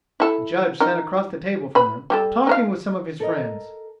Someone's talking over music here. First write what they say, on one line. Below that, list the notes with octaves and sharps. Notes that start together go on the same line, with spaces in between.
The Judge sat across the table from them, talking with some of his friends.
E4 A4
D#4 A#4
B4 B5
G3 G4 A4
D#4 A#4 F5
A4 A#4 D#5